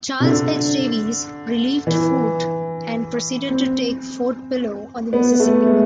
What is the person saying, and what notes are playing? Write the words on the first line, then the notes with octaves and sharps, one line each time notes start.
Charles H. Davis relieved Foote and proceeded to take Fort Pillow on the Mississippi.
C3
D3
E3
C4
B3
A3
G#3